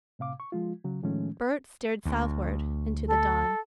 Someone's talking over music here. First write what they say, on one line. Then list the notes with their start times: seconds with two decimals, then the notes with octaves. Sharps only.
Bert stared southward into the dawn.
0.19 A2 C3 F5 D6
0.40 C#6
0.52 F3 G#3 F4
0.84 C#3 F#3
1.03 A2 D#3 F3 G#3 A3 C#4
2.05 D2
3.07 A4